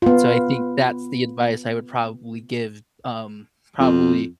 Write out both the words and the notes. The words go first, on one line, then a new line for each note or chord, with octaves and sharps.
So, I think that's the advice I would probably give, um, probably,
B3 F4
F2